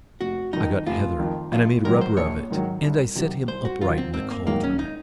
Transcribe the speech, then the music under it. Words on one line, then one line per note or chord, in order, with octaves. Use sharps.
I got heather and I made a rubber of it, and I set him upright in the caldron.
F1 F#4
F2 D#3 D#4
F1 F4
F2 D#3
A#1 F4
G#2 D#3 F#3 A#4
C5
A#1 C#5
G#2 D#3 F#3
C2
C3 D#3 F#3
C2 C5
F#4
C3 D#3 F#3 F4
C4
G#1 C4
A#3
G#2 D#3 F#3 A#3
C#4
D#4